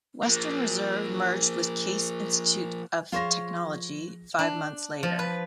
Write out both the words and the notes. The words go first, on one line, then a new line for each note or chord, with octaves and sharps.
Western Reserve merged with Case Institute of Technology five months later.
F3 A#3
F3 F4 G#4 C5 C#5 A#6
D4
F3
B4